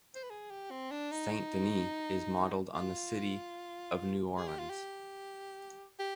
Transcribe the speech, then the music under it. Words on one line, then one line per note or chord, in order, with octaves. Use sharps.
Saint Denis is modeled on the city of New Orleans.
C5
B4
G#4
G4
C4
D4
D#4
F4
G#4
G4
F4
G4
G4